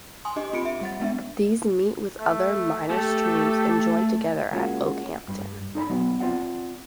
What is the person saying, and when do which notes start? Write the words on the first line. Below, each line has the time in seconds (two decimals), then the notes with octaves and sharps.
These meet with other minor streams and join together at Okehampton.
0.25 G#5 C6 D#6
0.36 D4 G4 D#5 G#5 D6
0.53 C4 F4 B5 C#7 D7
0.65 E5
0.81 G3 F#5 A6
1.00 G#3 B3 D4 E5
2.20 A3
2.90 A3 G4 A4
4.52 G#3 A#3 C#4 F4 F#4
5.28 G2 G3
5.75 D#4 A4 D5 A#5 B5
5.90 F#3 B3
6.20 C4 F4 D5 F#5